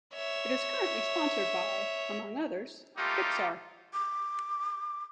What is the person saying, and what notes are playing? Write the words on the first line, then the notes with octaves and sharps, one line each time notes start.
It is currently sponsored by, among others, Pixar.
C#5 E5
G3 A3 A#3 D#4 F4 G4
D6